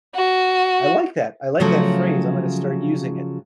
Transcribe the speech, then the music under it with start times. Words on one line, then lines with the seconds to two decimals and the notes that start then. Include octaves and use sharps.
like that. I like that phrase, I'm gonna start using it.
0.16 F#4
1.60 C#3 F3 F#3 A3